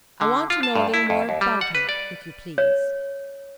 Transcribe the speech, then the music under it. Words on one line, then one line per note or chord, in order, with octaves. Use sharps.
"I want to know a little more about her, if you please."
D3
F4
A5
G2
E4
F2
D#2
G3
F#5
B4
D5
C#5